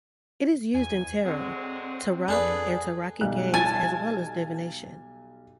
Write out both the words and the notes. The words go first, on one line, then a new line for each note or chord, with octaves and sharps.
It is used in Tarot, tarock and tarocchi games as well as in divination.
E2 G#5
D3 F#3 G#3 C4
F2 B3 D4 G#4 A4 B4
B1 G3 F#6
G#5 A5 G#6 A6